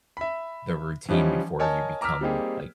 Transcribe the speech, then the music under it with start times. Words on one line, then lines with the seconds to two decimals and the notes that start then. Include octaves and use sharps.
the routine before you become, like,
0.17 E5 B5
1.09 E3 F3 G3 C#4 D#4
1.59 A#4 C#5 D#5 G#5 A5
2.01 A#5 D6 E6 F6 B6
2.21 G3 A#3 C4 D#4 G4 G#4